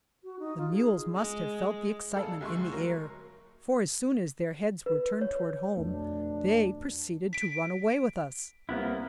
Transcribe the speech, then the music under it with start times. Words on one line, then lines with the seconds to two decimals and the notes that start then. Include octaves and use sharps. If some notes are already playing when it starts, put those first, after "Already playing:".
The mules must have felt the excitement in the air, for as soon as their heads were turned toward home they proceeded to run away with us.
0.24 F#4
0.39 D#4
0.58 F4
0.71 G#4
1.15 G#3
2.15 G#4 A4 D5 F5 A5 E6
2.41 D2 G#3 C6 C#6
2.72 F#3 A#3 A#4 C#6
4.86 B4
5.21 C#5
5.77 F2 B2 A3 D4
7.33 B6 D7
8.69 C2 A#3 B3 E4